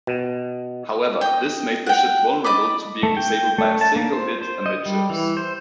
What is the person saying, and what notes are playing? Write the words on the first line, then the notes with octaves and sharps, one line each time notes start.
However, this made the ship vulnerable to being disabled by a single hit amidships.
B2
D#5 G5
F#5 G5
D5 D#5 B5 D6
A3
G5
A3
A5
A#3
C5
C5
D#5
G3
E3
C5